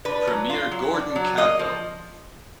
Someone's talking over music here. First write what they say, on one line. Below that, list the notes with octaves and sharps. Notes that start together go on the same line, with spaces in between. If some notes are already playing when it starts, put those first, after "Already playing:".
Premier Gordon Campbell.
D4 B4
F#3
F4
F#3
D4
F#3
A#3 D#5
F3